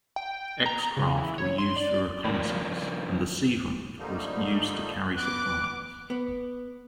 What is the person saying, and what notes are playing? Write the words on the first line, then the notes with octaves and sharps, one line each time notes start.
X-craft were used for reconnaissance, and the "Seehund" was used to carry supplies.
G5
A#5
C#3
E3
C#5
C6
D5
D#3 F3 C#4 A#4 D5
D3 F3 G3 A3 A#3 D#4
B3 D6 F#6
B3